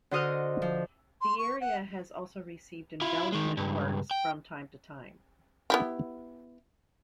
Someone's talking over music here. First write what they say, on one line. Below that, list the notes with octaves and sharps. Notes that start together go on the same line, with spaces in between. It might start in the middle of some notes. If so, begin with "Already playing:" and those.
The area has also received embellishment works from time to time.
D3 F#4 C5 D#5 D#6 F6
F3
C6
C#6
F#5
E4 F4
D#3 G#3
C#2 G2
G5
B3 E4 G4